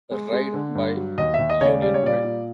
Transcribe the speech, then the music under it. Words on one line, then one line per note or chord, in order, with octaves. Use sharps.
A raid by Union Brig.
G#3
G#3
D3
G2
F#3
D#2 D#5
E5
D#2
D#5
C#3 C#5 D5
G3 D5
C#5
A#2 D5
A#2